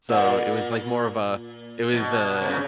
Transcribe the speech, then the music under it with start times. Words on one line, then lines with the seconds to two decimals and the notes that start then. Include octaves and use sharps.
so it was like more of a it was a
0.09 A#2
1.94 B2
2.41 C3
2.48 C#3